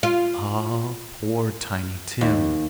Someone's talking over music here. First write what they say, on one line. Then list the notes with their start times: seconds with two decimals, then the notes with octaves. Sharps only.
Ah, poor Tiny Tim!
0.03 F4
2.21 D#2